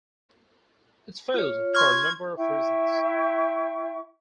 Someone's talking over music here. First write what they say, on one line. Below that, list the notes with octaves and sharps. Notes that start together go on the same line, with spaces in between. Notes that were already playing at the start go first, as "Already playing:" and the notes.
It failed for a number of reasons.
F4 C#5
C6 C#6 F6 G#6
E4 E5 G5 C#6